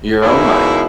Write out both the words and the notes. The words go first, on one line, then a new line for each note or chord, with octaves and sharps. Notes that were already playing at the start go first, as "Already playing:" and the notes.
your own mind?
G#2 B2 E3 A#3 C#4 E4